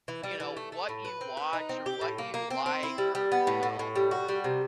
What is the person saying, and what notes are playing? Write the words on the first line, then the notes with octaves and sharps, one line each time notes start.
you know, what you watch, or what you like, or you know
E3
G3
E3
A3
A3
A2
B4
C4
B4
D#4
C4
G4
A2
A#3
A#3
C4
C4
E4
G3
G3
B3
A2
A2
A2
G3
F#4
G3
C3